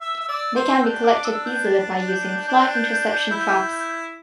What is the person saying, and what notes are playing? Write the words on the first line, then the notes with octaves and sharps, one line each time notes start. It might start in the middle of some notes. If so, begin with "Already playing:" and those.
They can be collected easily by using flight interception traps.
E5 E6
E5
D5 E6
C5 E6
D4 G6
D6
E6
G6
A6
G6
D4
E4